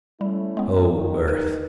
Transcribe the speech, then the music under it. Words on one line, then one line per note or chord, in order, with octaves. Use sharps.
Oh, earth!
G3 A3 C#4 E4
G#3 B3
A#2 D#3
D#4 A#4 B4